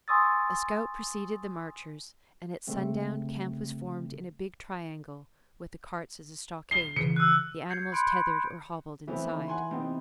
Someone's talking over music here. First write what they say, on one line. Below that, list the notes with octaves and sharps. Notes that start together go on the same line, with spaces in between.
A scout preceded the marchers, and at sundown camp was formed in a big triangle with the carts as a stockade, the animals tethered or hobbled inside.
G#5 C6 C#6 D#6 E6 A6
C#3 G3 A3 C4
C7 G7
C#3 E3 C#7
E6 F#6
G6 G#6 C7 C#7
B5 C6 F#6 G6 C#7 D7
E3 A3 B3 C4
D#2
F#5 G#5 C6
C3 B3 C4 D#4